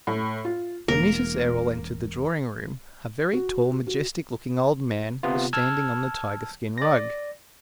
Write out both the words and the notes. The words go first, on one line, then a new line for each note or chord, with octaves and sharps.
When Mrs. Errol entered the drawing-room, a very tall, majestic-looking old man was standing on the tiger-skin rug.
A2
F4
E1 A#3 A#4
F#4
F#4
C3 B3 F4
A5 E6 F6 G#6
D5 A#6